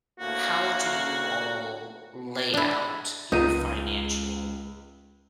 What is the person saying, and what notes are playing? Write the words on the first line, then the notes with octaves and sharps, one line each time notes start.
how do you all lay out your financial
D2 A2 A#3 F#4
D4 E4
C#2 D#4 D#7